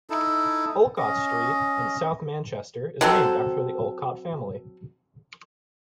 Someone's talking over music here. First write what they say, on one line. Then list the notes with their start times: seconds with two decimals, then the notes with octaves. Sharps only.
Olcott Street in South Manchester is named after the Olcott family.
0.10 D#4 E4 A4
0.98 C#4 D#5
3.01 F#3 C4 A4